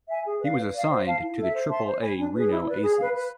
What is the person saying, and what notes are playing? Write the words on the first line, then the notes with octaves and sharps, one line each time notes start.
He was assigned to the Triple-A Reno Aces.
E5 G#5
G#4
B4 D5 F5
B4
D5 F5
C5
F5 A5
E4
A4 E5
C5
E5 A5 C6
C5
G#5 B5
D4
G#4 B4
E4
B4 D5
G#4
B4 F5
B4